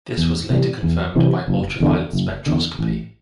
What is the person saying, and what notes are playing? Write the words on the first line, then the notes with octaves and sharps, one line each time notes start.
This was later confirmed by ultraviolet spectroscopy.
E2
C3 E3 G3
E2
C3 E3 G3
F#1
E2 D3
F#1
E2 D3
A1